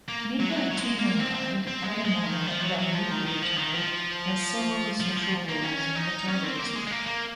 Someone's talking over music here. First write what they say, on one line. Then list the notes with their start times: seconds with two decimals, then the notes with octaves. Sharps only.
Nicotinamide adenine dinucleotide has several essential roles in metabolism.
0.08 A#3
0.40 F#3
0.49 G#3
0.57 F#3
0.71 F#3
0.77 G#3
0.99 A#3
1.20 C4
1.35 C4
1.68 C4
1.84 G#3
2.05 G#3
2.26 D#3
2.47 F3
2.63 F#3
2.79 F#3
2.94 F3
3.11 D#3
3.26 D#3
3.42 F3
3.58 D#3
3.74 F3
5.00 F3
5.17 F3
5.49 A#3
5.64 C#4
5.96 D#4
6.28 C#4
6.44 C4
6.59 A#3
6.75 G#3
6.87 G#3
6.91 A#3
7.07 A#3